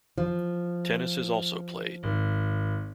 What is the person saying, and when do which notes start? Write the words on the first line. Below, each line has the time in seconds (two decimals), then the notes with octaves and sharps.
Tennis is also played.
0.18 F3
2.03 G#1